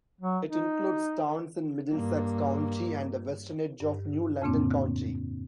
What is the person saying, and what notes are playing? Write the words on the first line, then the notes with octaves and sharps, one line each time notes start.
It includes towns in Middlesex County and the western edge of New London County.
F#3
D#4
G2 A#3
G2
F2 A2 C#3 A#3 C4 D4